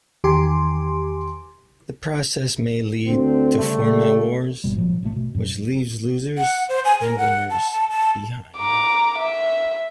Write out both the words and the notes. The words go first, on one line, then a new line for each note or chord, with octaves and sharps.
The process may lead to format wars, which leaves losers and winners behind.
E2 D#3 G4 G#5 C6 D6
D2 D3 C4
C#3 G3 A3
G1 B2 G3
A#2 F3 F#3
A1 B2 A3
B2
F#2 A#2 F#3
F#5
C5
G#5
A#4
F#5
A5
A5
A5
A#5 D6
E5